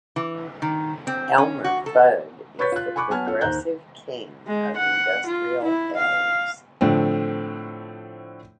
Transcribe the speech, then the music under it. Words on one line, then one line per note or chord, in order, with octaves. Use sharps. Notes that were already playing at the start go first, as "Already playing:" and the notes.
Elmer Fudd is the progressive King of industrial Elves.
E3
D#3
C4
C#4
F#4
A4
B4 C#5 C#6 G6 A6 B6
F4 F#6
G#5 B5 C#6 D6 F#6
F#3 B3 G#5 A5 F6 G#6
C#4 F4 A4
D#2 C5 A#5 F#6 G6
G#3
F#5
F4
E4
F5
A2 D3 F3 A3 C4